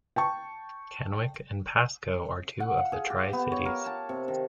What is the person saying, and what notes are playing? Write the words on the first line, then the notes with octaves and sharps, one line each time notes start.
Kennewick and Pasco are two of the Tri-Cities.
G5 A5 C#6
F#5
F5
G#4
G4
B3
C#5
A#4
A5
C3
D#3